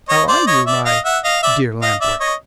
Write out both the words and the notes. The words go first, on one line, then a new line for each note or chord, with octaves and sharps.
"How are you, my dear Lamp-Wick?"
C#5 D#5
C5 D5
C#5 D#5
D5 E5
D#5 F5
E5 F#5
D#5 F5
D5 E5
D#5 F5
D5 E5
C#5 D#5